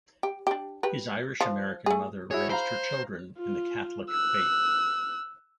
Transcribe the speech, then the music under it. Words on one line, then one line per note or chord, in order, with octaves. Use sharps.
His Irish-American mother raised her children in the Catholic faith.
G4
D4 G4
G4 B4
F3
A3 G#4
E4 F#4 G#4 C#5
C5 F5 A#5 B5
F4
E6 F#6